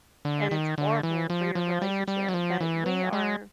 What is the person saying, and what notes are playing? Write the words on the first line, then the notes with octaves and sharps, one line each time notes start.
And it's horrible for your relationship, but we are
D3
D#3
D3
E3
F3
F3
G3
G3
F#3
F3
E3
F#3
G#3